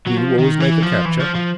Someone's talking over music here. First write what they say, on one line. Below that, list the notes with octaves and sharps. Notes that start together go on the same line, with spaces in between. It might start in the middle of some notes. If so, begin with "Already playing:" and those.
"Do you always make a capture?"
F#3
F3
D#3
E3
F3
E3
F3
F3